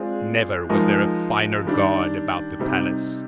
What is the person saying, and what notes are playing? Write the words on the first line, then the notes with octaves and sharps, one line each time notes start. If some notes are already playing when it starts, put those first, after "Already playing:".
Never was there a finer guard about the palace.
Already playing: G#3 C4 F4 G#4 D5
F3 G#3 D#4 A#4
D#3 G3 D4
C3 G3 C4 D#4